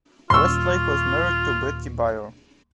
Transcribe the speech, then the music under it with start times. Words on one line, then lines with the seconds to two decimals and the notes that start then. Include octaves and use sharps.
Westlake was married to Betty Bier.
0.30 D#1 F4 C6 C#6 E6